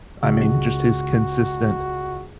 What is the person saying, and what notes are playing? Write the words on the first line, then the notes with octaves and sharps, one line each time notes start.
I mean, just his consistent
C#2 F#4